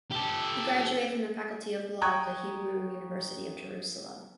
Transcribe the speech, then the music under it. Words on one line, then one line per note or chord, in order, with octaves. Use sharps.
He graduated from the Faculty of Law of the Hebrew University of Jerusalem.
G4 A4
G5 A#5 C#6 D#6 F#6 G#6